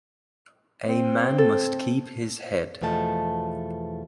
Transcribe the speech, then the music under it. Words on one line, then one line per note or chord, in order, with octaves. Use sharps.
A man must keep his head.
C4
A4
E2 B2 F3 A3 A5